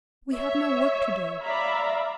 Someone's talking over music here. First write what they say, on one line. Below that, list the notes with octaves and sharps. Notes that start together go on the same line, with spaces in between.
We have no work to do.
C#5 E5
D5 E5 F5 A#5 B5